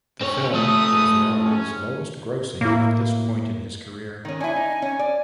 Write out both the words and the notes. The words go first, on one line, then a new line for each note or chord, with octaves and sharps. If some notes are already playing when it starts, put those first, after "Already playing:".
The film was Melville's lowest grossing at this point in his career.
C4 C#5
F3 A3 D#6
C#4
A2 A#3 E4
D#3 C#4
D4 E4 G#5
D#4
C#4
D5